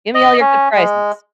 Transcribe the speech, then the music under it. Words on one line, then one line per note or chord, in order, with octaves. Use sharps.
Give me all your good prices.
D#5
C#4
G#3